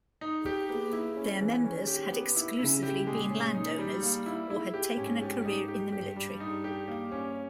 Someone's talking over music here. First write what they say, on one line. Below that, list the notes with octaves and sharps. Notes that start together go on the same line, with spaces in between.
Their members had exclusively been landowners or had taken a career in the military.
D#4
G4
A#3 B3
E4
C#4
E3
D#3 C#4
G4
B3
E4
C#3 E4
G4
A#2 G#3
C#4
D#4
G3
A#3
E4
E4
G4
G#2 C#4
G4
D#4
G4
G2 G4
G3
D#4
G4
A#3
C#4